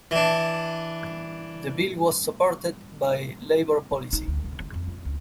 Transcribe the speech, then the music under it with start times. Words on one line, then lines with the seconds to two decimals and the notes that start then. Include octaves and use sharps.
The bill was supported by Labor policy.
0.11 E3 D4
3.92 D3
4.13 D#4
4.28 D2
4.44 C3
4.60 D3
4.73 F2
4.88 F4
5.05 C#2